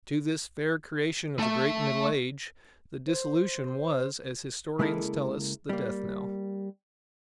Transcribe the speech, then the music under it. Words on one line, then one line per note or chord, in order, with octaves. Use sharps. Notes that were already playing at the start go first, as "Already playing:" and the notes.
To this fair creation of the great Middle-Age the Dissolution was, as historians tell us, the death-knell.
A3 E5
C5
C#3 G#3 A#3 E4 A4 A#4
G3 A#3